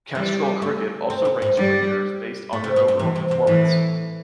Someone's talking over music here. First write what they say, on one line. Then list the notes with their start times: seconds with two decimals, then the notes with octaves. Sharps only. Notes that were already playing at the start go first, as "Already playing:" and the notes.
Castrol Cricket also ranks cricketers based on their overall performance.
0.15 E3 G3
0.62 A3
1.10 C4
1.25 C3
1.42 A2
1.57 G2 G3
2.53 A2 A3
2.64 C3
2.76 A2
2.88 G2
2.99 A2 E3
3.16 C3
3.31 C3
3.47 A2 E3